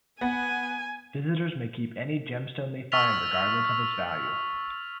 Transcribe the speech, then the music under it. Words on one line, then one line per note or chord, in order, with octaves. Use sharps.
Visitors may keep any gemstone they find regardless of its value.
B3 G#5
C#6 E6 F6 A6 B6 F7